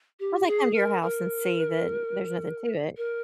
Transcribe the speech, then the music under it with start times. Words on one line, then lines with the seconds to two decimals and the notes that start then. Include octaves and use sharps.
Well, they come to your house and see that there's nothing to it.
0.20 G4
0.47 G#4
0.74 A#4
1.02 A#4
2.97 A#4